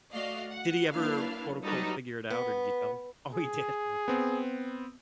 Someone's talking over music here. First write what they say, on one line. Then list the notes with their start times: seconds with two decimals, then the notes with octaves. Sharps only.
did he ever, quote unquote, "figure it out," or did you tell him? Oh, he did, okay.
0.12 A3 F#4 D5 D#5 F5
0.51 F#5
0.92 F#3 A#3 D4 E4 B4 F5
1.64 F#3 G3 D#4 F#4 A4 B4
2.30 B3
3.34 G#4
4.08 B3 C4